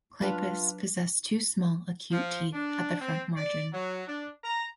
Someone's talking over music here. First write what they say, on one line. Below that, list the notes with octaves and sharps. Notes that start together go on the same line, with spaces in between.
Clypeus possess two small acute teeth at the front margin.
F#3 D4 F4 B4 F5
F3
D4
C4
D5
F#3
D4
A#5